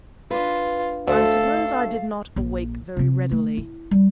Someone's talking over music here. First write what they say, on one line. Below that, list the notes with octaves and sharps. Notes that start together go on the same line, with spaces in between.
I suppose I did not awake very readily.
D4 F4 B4
D2 A3 A4 C5 F5
A#1
C3 C4
A3
E4
G3